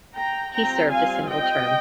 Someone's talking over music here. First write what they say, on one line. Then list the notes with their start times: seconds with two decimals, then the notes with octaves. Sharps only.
He served a single term.
0.15 G5 A#5
0.53 G3 C4 F4 G5 A#5
0.91 F5 G#5
1.29 D#5 G5